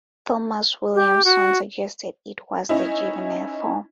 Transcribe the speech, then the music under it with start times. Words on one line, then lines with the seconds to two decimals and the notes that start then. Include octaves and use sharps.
Thomas Williamson suggested it was the juvenile form.
0.94 G4
1.25 F#4
2.69 C#4 D#4 E4